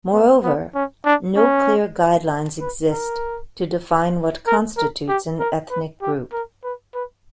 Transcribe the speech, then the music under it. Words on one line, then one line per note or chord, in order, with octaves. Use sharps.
Moreover, no clear guidelines exist to define what constitutes an ethnic group.
B3
B3
C#4
D4
C#4
B4
A#4
A#4
A#4
G4
A#4
B4
G4
A#4
B4
B4